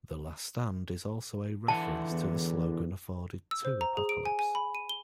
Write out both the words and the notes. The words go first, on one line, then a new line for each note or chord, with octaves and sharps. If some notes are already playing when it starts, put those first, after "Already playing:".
'The Last Stand' is also a reference to the slogan afforded to Apocalypse.
D3 E3 F#5 A5
E2
E6
C5
A#5
G#4
D7
G#5
G#5
B5
D#7
G7